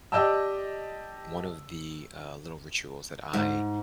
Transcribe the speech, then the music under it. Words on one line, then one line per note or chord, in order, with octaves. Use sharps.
one of the, uh, little rituals that I
G4 D5 D#5 G5 A5 E6
G#2